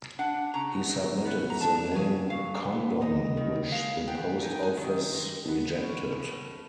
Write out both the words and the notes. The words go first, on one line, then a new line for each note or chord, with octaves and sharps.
He submitted the name Condon, which the Post Office rejected.
D4 F#5
C#3 A#5
F#3
B3
A#5
D4 A5
C#3 G#5
F#3 F5
B3
D#4 D#5
D#3
G#3 F5
B3 G5
D#4 G#5
G5
G#5
D#3
G#3
B3
C#4
A2